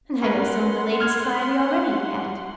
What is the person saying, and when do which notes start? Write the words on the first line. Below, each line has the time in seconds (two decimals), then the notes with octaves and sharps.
"And I know some of the lady-society already," I added.
0.22 C#4 A#4 B4 F#5 C6
1.00 F6 G#6